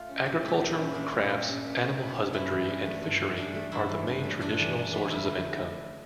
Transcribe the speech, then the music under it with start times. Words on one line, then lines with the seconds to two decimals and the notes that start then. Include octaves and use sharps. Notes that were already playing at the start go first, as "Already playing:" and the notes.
Agriculture, crafts, animal husbandry and fishery are the main traditional sources of income.
Already playing: A3 F4
0.08 C#4
0.25 A#2 G4
0.43 A3
0.48 G4
0.61 A#2
0.71 E4
0.78 C#4
0.94 A#2 D4
1.12 A3
1.30 A#2
1.46 C#4
1.64 A#2
1.81 A3
1.98 A#2
2.16 C#4
2.33 G2 E4
2.51 E3
2.68 D4
2.86 A3
3.03 G2
3.20 E3
3.37 D4
3.55 A3
3.72 G2 E4
3.89 E3
4.07 D4
4.24 A3
4.41 G2 D4
4.59 E3
4.77 D4
4.93 A3
5.11 F2 E4
5.28 D3